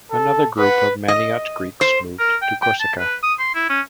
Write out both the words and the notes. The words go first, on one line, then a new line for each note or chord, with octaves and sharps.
Another group of Maniot Greeks moved to Corsica.
A4
B4 F#5
D#5
C5
A#4
G5
G5
A5
B4
D#6
C6
E4
C#4